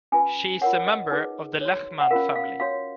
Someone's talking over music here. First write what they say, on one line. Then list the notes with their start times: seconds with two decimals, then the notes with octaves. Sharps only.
She is a member of the Lehman family.
0.12 C#4 F4 B4 G#5
0.61 F4 A#4 C#5 F#5
0.87 D#5
1.11 D#4 G#4 B4
1.61 F#4 C#5
2.01 F#5
2.11 C#4 F4 A#4 F5
2.36 F5
2.60 F#4 C#5 F5